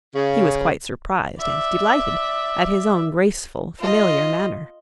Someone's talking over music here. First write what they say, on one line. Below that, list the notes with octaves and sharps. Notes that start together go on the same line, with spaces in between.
He was quite surprised and delighted at his own graceful familiar manner.
C#3
D5 E5
F4 D#5